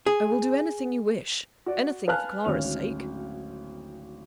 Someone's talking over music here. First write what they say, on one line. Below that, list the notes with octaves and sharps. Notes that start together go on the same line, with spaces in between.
"I will do anything you wish--anything for Clara's sake!"
G#4
F#4 D5
B4 F5 G#5 A5 F6 F#6
D1 G#1 C#4 F7